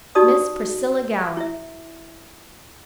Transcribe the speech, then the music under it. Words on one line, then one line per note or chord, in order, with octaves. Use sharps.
"Miss Priscilla Gower."
D#4 F#4 G4 D5 A5 D#6
E4 E5